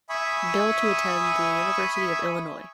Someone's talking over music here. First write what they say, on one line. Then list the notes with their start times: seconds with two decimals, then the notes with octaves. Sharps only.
Bill to attend the University of Illinois.
0.09 E5 G#5 B5 C#6 D#6